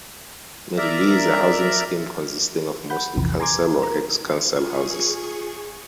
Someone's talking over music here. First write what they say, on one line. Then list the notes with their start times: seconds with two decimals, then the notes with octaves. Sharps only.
Merrylee is a housing scheme consisting of mostly council or ex-council houses.
0.77 A#4 D5 E5 A#5
2.90 F#5 B5 G6
3.16 A#1 E2 C3 E3 F3
3.40 G#5 A#5 C6 D6 G#6
3.82 A#4 A#5
4.56 F4 G#4 C#6